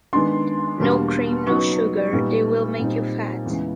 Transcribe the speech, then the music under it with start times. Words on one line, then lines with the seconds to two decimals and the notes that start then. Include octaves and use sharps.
No cream, no sugar; they will make you fat.
0.13 D#3 G#3 B3 D4 C6
0.80 E2 B2 G3 A#3 D4
1.46 C#3 F#3 B3 D#4 C#6
2.13 A#2 G3 B3 D#4
2.80 A#2 G3 C4 D#4
3.46 E2 C#3 E3 G#3